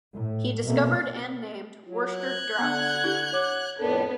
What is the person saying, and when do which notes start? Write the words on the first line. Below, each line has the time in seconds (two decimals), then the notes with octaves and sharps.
He discovered and named Worster-Drought syndrome.
0.14 A2
0.65 B2 A3 A#3 C4
1.86 F#3 F4
2.18 F#6 G#6
2.59 D3 B3 D4 F#5
3.03 D4 E4 G4
3.33 C#5 F#5 D6
3.79 F2 A2 B3 D4 A4 A#4 D5